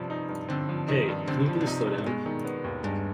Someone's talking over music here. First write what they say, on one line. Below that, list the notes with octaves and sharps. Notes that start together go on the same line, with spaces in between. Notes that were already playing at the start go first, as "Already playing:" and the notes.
Hey, can you please slow down?
Already playing: G2 C3 F3 C4
D#4
G2
D3 C4
F3
D#3 D#4
G2
D3 C4
F3
D3
C3 D#4
G2
G#2
B2 G#3
D#3
B3
D#2
G2 G#3